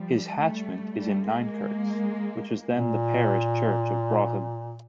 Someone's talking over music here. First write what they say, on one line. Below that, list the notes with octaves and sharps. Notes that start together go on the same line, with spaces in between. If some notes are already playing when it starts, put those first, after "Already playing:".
His hatchment is in Ninekirks, which was then the parish church of Brougham.
Already playing: F3 G3
G3 A3
G3 A3
G#3 A#3
A#2